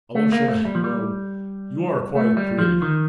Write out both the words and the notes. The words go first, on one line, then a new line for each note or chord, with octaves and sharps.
Alyosha, you know, you are quite pretty!
A3
A#3
A3
G3
F3
G3
A3
G3
F3
D#3